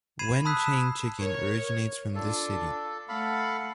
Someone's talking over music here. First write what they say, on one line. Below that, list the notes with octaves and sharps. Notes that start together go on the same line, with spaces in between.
Wenchang Chicken originates from this city.
B5 G#6 C7 D#7 E7
A5 B5 D#6 E6 F#6 B6
E7
A#4 C#5
D4 F4 A4
A3 A4 F5 F#5 B5